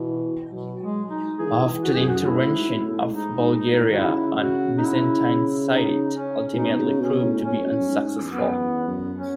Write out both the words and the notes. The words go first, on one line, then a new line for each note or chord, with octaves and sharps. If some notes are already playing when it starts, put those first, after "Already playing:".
After the intervention of Bulgaria on Byzantine side it ultimately proved to be unsuccessful.
Already playing: B2 E3
B2 F#3
G#3
D#4
E3 G#4
D#3
E3
E3
F#4
F#2 G#4
F#4
F#4
A2 E4
G#2
C#3
B2
A2
G#2 D#4
G#2
A2
D#3 F#4
C#3 E4
F#4
D#4
E4
D#4
C#4
A2
B2 D#4
C#3
B2 C#4
A2
A2 C#4
B2
A2
F#2
G#2
E2
F#2 B3
E2
F#2
C#4